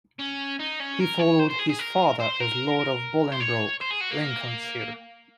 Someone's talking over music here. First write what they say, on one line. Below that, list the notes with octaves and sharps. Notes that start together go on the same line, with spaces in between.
He followed his father as Lord of Bolingbroke, Lincolnshire.
C#4
D#4
C#4
A#4
C#5
C5
C5
G#4
G#4
A#4
C5
A#4
C5
C#5
C5
G#4
F#4
A#3